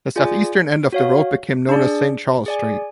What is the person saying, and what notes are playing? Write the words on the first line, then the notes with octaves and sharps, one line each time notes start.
The southeastern end of the road became known as Saint Charles Street.
F4 G#4 D5 G#5
F#4 C#5 F5
D4 G#4 D5
G#4 D5 G#5